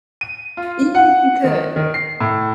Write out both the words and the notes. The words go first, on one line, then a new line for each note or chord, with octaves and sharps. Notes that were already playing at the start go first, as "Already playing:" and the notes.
Even if you could,
D#7
F4
F#5
D#3
D#3
C7
A2